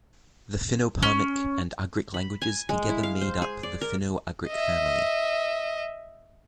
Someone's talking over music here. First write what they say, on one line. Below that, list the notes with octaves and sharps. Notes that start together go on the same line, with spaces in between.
The Finno-Permic and Ugric languages together made up the Finno-Ugric family.
C#4
B5
G#5
G#3
E4
F5
C5
G#4
D5
A#4
D#5 E5